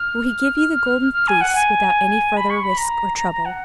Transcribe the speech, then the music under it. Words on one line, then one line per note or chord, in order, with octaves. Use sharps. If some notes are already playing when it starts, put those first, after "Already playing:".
"Will he give you the Golden Fleece, without any further risk or trouble?"
Already playing: F6
F6
F6
G#5
F#5
G#5
B5
C#6
B5
A#5
A#5
A#5
F#5